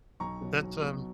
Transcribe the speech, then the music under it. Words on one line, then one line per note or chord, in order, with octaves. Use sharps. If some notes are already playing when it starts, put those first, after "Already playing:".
That's, um
B1 A#5 C#6
B2 F#3
B1
B2 F#3